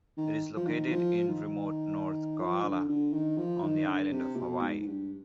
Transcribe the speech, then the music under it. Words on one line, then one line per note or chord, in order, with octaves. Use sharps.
It is located in remote North Kohala on the Island of Hawaii.
D#3
F3
D#3
D#3
F3
D#3
F3
D3
D3
D#3
F3
D#3
D3
C3
B2
G#2
G#2
G2